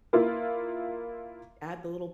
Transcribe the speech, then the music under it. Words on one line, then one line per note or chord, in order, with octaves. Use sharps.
add the little
A#3 E4 F4